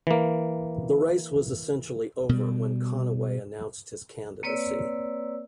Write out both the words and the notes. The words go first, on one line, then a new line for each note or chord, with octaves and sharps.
The race was essentially over when Conaway announced his candidacy.
E3 A#3
B2 G3
A#3 C4 B4 C#5 D5 E6